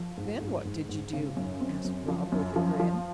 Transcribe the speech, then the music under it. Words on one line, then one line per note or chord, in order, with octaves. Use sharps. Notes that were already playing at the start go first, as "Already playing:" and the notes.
"Then what did you do?" asked Rob, with a grin.
Already playing: F3
G#2
G#2
G#2
G#2
C#3
F#2
C4
F#2
F3
F#2
F3
F3